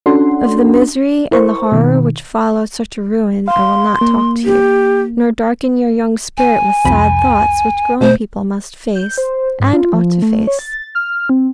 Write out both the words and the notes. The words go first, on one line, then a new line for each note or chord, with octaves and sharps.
Of the misery and the horror which follow such a ruin I will not talk to you, nor darken your young spirit with sad thoughts which grown people must face, and ought to face.
C#4 D4 F#4 A4 F#5 C6
E4 A#4 C5 C#6
B2 D#3
F5 C6
A#3
G4
G#5
C2 F2 B5
B2 A3 C5
G6
C5
G#2
F4
F3
A3
C#5
A6
F6
C4